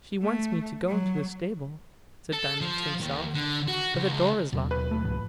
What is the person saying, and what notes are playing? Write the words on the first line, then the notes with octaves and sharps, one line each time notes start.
"She wants me to go into the stable," said Diamond to himself, "but the door is locked."
A3
F#3
A4
F3
D#2
D3
F#4
C#2
D#2 B2 F#3
B4
A3
C#2 G#2 F3